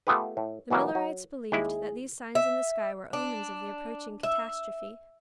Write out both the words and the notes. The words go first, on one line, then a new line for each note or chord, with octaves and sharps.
The Millerites believed that these signs in the sky were omens of the approaching catastrophe.
A3 B3 F4 G4 G#4 B4
A2
B2 E3 F#3 G3 A#3
F#3
D#2 G#3 E4 G#4
E5
D4
E5